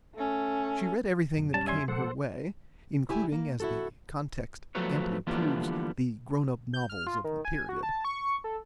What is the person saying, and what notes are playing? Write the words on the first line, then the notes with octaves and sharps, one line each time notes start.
She read everything that came her way, including, as the context amply proves, the grown-up novels of the period.
A3 C#4
F#2 B2
G3 C#4 A5
E5 G#5 C6
A#2 F3 G#3 A4 C5 F#5
D2 E4 G4 G#5
A#3
E4 F#4 A4
F3 F#3 A3 B3 B4 C#5
D3 E3 F3 G3 A#3 B3
G6
F6
F4
D#3
G#5
F#4
A5
C#6
A4